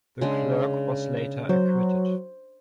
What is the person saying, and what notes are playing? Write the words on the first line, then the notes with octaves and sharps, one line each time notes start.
The clerk was later acquitted.
C#3 G#3 D4
F#3 C5